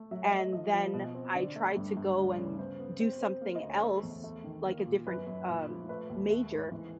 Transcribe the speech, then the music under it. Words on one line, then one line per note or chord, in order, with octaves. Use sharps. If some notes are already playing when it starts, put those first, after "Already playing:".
And then I tried to go and do something else, like a different, um, major,
Already playing: A3
F#3 E5
D#5
A3
D#5
F3 D#5
F3
B2
C4
D3 D5
A3
G2
G2
D2 D5
C#3 C#5
B3 C5
B3
C4 C5
C4
A#3
D#5
D2
C#5
A3
E2
A3
D#3
A#3
A#2
F#2 B4
F#2
A#2
F3
A3 B4
D#2
A3
G#2
E3